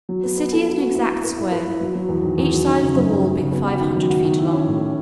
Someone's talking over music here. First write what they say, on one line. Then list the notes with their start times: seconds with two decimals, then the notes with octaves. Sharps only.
The city is an exact square, each side of the wall being five hundred feet long.
0.09 F#3
0.23 B3
0.37 B3
0.52 A4
0.67 F#4
0.81 F#4
0.95 E4
1.09 E4
1.24 B4
1.38 E4
1.52 B4
1.67 E4
1.81 F#3
1.95 F#3
2.09 E2
2.24 D#3
2.38 E2
2.53 F#3
2.67 D#4
2.82 C#3
2.95 F#2
3.10 D#4
3.24 F#2
3.38 C#3
3.53 B3
3.67 F#4
3.81 D#3
3.96 F#3
4.10 F#4
4.24 D#3
4.39 E4
4.53 C#4
4.67 A2
4.81 C#4